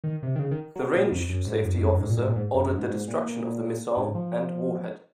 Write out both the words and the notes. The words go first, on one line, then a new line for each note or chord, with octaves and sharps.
The range safety officer ordered the destruction of the missile and warhead.
D#3
C3
D#3
C#3
D#3
F#3
A#2
F2
F#2
G#2
F#2
F#2
F2
F#2
G#2
A#2
G#2
A#2
G#2
F#2
F#2
G#2
G#2
A#2
A#2
G#2
F3